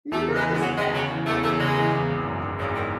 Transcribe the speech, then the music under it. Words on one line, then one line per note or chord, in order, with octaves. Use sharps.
Not as bad, I don't think, but
E2 A3
C#3
G#3
E3
G#3
E2 F#3
E2 G#3
C#3 F#3
E3
E2 A3
E2 A3
C#3 G#3
E3
E2
G#1
F#2
D#3
G#1 C#3
D#3